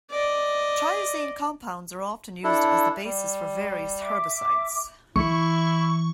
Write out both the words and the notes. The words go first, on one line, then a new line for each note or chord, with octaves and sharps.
Triazine compounds are often used as the basis for various herbicides.
D5 D#5
D4 E4 A4
G3
E5 D6
E3 E4 C#6